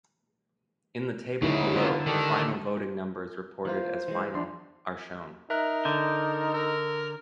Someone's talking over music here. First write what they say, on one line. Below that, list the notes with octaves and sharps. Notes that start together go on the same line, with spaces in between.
In the table below the final voting numbers reported as final are shown.
D2 C#3 F#3 D#4 E4
D3 A#3 B3 F4
D#3 D4 G4 A4
E3 A#3 F4 C5
E3 F#3 G#3
F3 D4 C6
D#4 A#4 E5 A#5 F#6
D3 G6
A#4 E6